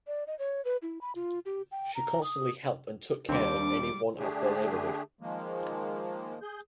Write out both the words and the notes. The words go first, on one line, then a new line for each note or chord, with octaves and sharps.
She constantly help and took care of any one at their neighborhood.
D5
D#5
C#5
B4
E4
B5
F4
G4
G5
A#5
D#6
D#2 G3 C4 D4 D6
D3 A3 D4 G4 G#4
D#3 F3 G#3 A#3
G#4 G6